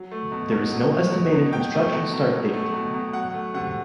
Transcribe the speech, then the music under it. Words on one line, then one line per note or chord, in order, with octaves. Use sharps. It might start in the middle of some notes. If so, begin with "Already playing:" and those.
There is no estimated construction start date.
Already playing: F#3
A3
B2
B2
F#3
A3
B2
B2
F#3 G5
A3
B2
B2
F#3
A3
B2
B2
F#3 F#5
A3
C3 F#5